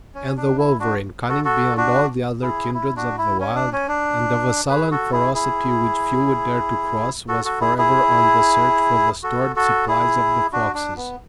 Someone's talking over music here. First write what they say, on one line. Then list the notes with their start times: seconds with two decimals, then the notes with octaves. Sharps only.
And the wolverine, cunning beyond all the other kindreds of the wild, and of a sullen ferocity which few would dare to cross, was forever on the search for the stored supplies of the foxes.
0.15 C#4
0.37 D4
0.58 E4
0.79 D4 F#4
1.29 F#4 A4
1.44 F#4 A4
1.77 D4 F#4
2.42 E4 G#4
2.74 E4
2.96 D4 F#4
3.18 E4
3.40 C#4
3.55 D4
3.73 C#4
3.88 D4
4.69 G#4 B4
4.91 F#4 A4
5.12 E4 G#4
5.34 E4 G#4
7.28 F#4 A4
7.45 F#4 A4
7.61 E4 G#4
7.78 E4 G#4
9.23 F#4 A4
9.56 F#4 A4
9.88 E4 G#4
10.53 D4 F#4
10.74 D4
10.96 B3